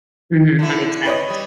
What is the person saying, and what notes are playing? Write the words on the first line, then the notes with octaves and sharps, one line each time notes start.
Mhm, that makes sense.
D3 E4
B4 C#5 D#5
G3